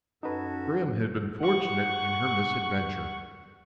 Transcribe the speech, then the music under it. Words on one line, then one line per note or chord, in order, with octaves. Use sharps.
Grim had been fortunate in her misadventure.
F#2 C#4 D#4 F#4 A4 B4 A5
F#5 C#6